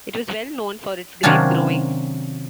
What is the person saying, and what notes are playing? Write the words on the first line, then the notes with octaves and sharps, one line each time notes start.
It was well known for its grape growing.
C3 D#3 F#3 C#4 D4 F4